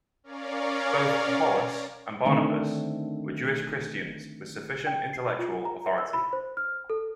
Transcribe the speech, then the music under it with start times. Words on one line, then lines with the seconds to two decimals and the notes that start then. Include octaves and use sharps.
Both Apollos and Barnabas were Jewish Christians with sufficient intellectual authority.
0.24 C#4 A#4 C#5 D5 F5
2.25 D3 D#3 A3 C4
4.87 G5
5.13 C7
5.39 F4
5.65 A#5
5.86 E5
5.98 E6
6.13 B5
6.33 C5
6.57 F6
6.90 A4